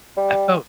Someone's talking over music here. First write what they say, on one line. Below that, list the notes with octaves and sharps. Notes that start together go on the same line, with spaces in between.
I felt
G3